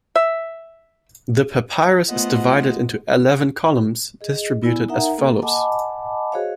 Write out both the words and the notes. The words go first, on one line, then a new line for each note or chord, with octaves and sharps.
The papyrus is divided into eleven columns, distributed as follows.
E5
A3 B3 F4 C5 D#5 F#5
G#4 D#5
B3 E4 D5 G#5
D#4 A#4 E5 F#5 A#5
A#3 A4
D#5 F#5 G#5 A5 B5 D6
F#4 G#4 C5 C#5 D#5 F5